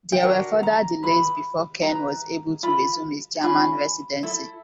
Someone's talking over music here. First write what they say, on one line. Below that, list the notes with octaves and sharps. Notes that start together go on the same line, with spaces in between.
There were further delays before Kern was able to resume his German residency.
G5
D4 F#4 A#4 F#5
A#5
E4 G#4 B4 B5
E4 G#4 A#5
B4
F4 A4 B5
C#4 F4 G#4 B5
E4 A4